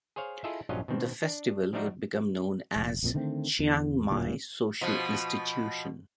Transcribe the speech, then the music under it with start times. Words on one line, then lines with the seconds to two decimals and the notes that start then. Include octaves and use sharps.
The festival would become known as the Chiang Mai Social Institution.
0.16 G#4 C5 C#5 F5
0.44 E4 F4 G#4 A4 D#5 E5
0.69 A#1 G2 F#3 C#4 F4 D#5
0.88 B2 D#3 C4
1.22 D4
1.73 F3 G3 A3 D4 D#4 F#4
2.76 F1
3.03 A#1 F2 A#2 C4
3.14 D3 D#3 A3 C4
3.59 E2
4.10 D1 D#2 A#2 C#3
4.81 B2 F3